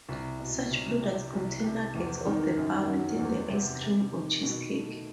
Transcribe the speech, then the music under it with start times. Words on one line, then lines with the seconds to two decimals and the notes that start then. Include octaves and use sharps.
Such products contain nuggets of the bar within the ice cream or cheesecake.
0.09 C2
0.40 B2
0.71 C2
1.02 C3
1.33 C2
1.64 C3
1.95 E2
2.26 D#3
2.57 F#2
2.88 F#3
3.19 E2
3.49 C3
3.81 C3
4.11 D#3
4.43 B2
4.73 A3